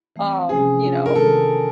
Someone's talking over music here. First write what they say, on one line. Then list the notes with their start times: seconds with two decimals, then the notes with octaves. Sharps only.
um, you know?
0.16 E3 A3 C4
0.48 C3 F3 A3 C#4 G#4
0.82 A3 D4 F4
1.06 A#4
1.15 C3 D#3 G#3 A4